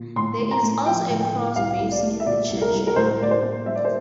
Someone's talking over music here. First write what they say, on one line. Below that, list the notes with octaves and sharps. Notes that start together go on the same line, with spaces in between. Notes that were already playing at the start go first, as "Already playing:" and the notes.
There is also a cross base in the churchyard.
Already playing: A#2
A2 C6
A2
A#5
A3
F3 G5
A2
G5
A2
C2 F5
C2
D5
A3
E5
A#2 D5
C2
A#4
C2
A#4
A2 C5
A2 D5
C5
A#3
G3 E5
D5
C5